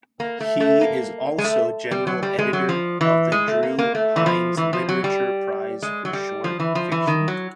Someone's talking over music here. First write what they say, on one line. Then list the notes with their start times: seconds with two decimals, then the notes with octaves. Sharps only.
He is also general editor of the Drue Heinz Literature Prize for short fiction.
0.20 A#3
0.41 A3
0.60 A3
0.81 A#3
1.38 G#3
1.44 A3
1.91 G3
2.07 F#3
2.23 G3
2.39 G#3
2.53 F#3
2.69 F3
3.01 E3
3.32 G#3
3.48 A3
3.63 A#3
3.79 A#3
3.95 A3
4.16 E3
4.26 F3
4.57 E3
4.73 F3
4.89 F#3
5.04 G3
5.82 G#3
6.05 F#3
6.13 G3
6.44 F3
6.60 E3
6.75 F3
6.92 E3
7.07 D#3
7.28 F#3